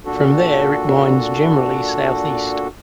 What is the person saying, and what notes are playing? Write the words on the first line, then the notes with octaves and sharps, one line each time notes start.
From there it winds generally south-east.
A#2 D4 F#4 A4